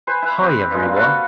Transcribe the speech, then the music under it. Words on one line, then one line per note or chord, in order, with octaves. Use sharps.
Hi everyone.
B4 C5 G#5
E4 B4
C4 G4 B4
G2 G#3
A#3
F#4 A4 B4 F5